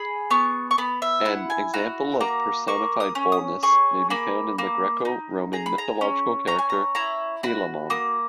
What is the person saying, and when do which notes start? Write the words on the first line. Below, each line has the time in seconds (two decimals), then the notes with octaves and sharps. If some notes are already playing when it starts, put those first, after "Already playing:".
An example of personified boldness may be found in the Greco-Roman mythological character Philemon.
Already playing: G#4 B5
0.31 B3 C#6
0.71 C#6
0.78 B3 B5
1.02 E5
1.25 E4 F#5
1.50 G#5
1.74 F#4 A#5
2.21 A#3 A#5
2.68 A#3 C#6
3.00 D#6
3.15 C#4
3.32 D#6
3.63 G#4 C#6
4.10 A#3 B5
4.58 A#3
5.05 D#4
5.53 G#4 A#5
5.66 B5
5.78 A#5
6.01 C#4
6.48 C#4 A#5
6.59 G#5
6.70 A#5
6.95 E4 A#5
7.43 F#4 B5
7.90 A#3 D#6